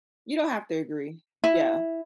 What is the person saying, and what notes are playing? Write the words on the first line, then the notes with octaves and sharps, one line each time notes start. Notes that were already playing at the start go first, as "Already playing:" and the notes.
You don't have to agree. Yeah.
E4